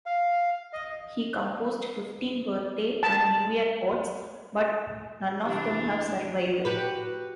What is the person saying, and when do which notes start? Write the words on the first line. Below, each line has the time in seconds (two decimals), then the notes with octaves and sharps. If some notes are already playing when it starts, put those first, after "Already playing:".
He composed fifteen birthday and New Year odes, but none of them have survived.
0.06 F5
0.73 D#5
3.03 A5
5.45 C3 E3 D4
6.65 F#4 G4 B4